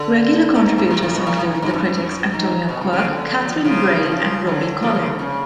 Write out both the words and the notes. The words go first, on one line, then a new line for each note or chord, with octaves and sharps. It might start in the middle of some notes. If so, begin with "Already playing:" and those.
Regular contributors include the critics Antonia Quirke, Catherine Bray, and Robbie Collin.
Already playing: D3
G#2
G#2
F#2
A2
A2
B2
A2
G#2
G#2
F#2
F#2
G#2
B2
C#3
C#3 F3
D3
F#3
F3
D3
C#3 F3
D3
C#3 F3
D3 F#3
C#3 F3
C#3 F3
D3
C#3